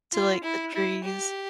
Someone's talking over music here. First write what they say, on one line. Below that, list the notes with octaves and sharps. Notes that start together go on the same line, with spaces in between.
to, like, the trees.
F4
E4
E4
G4